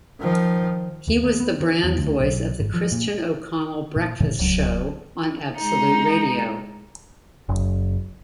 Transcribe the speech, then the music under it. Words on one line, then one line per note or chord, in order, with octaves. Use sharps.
He was the brand voice of The Christian O'Connell Breakfast Show on Absolute Radio.
D#3 F3
D#2
A#3
B3
D#3
E2
D2
B1
G#1
F3
A#2
A#2
A2 C#3 E3
D1 C#2 F#3
G#3 D#4
F#1